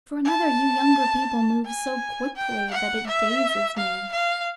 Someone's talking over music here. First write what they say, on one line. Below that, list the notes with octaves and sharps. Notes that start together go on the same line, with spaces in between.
For another, you younger people move so quickly that it dazes me.
A5
G#5
G5
F#5
E5
F5
F5